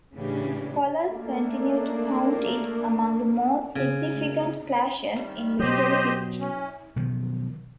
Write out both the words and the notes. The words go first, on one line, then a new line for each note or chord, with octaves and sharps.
Scholars continue to count it among the most significant clashes in military history.
A2 C#3 E3 C#4 D4 G4
A3 A#3 D4
C#3
D#3 G3
B2 F#3 G4 C5 D#5
C#4
B2 D#3 F3 F#3